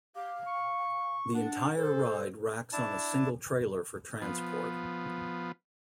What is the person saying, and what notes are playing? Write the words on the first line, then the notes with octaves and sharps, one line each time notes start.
The entire ride racks on a single trailer for transport.
G4 F5
C#6
D4 F#5
A4 C5
D4 E4 A5
F3 B3